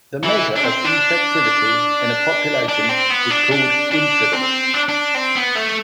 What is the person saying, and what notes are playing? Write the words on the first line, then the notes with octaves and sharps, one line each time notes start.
The measure of infectivity in a population is called incidence.
E3
D4
C4
D4
D4
C4
B3
D4
D4
D4
C4
D4
D4
C4
B3
A3